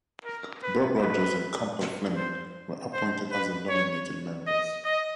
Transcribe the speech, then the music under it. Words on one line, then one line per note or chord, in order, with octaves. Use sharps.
Bob Rogers and Campbell Fleming were appointed as the nominated members.
A#4
B4
B4
C5
C5
B4
C#5
D#5
D#5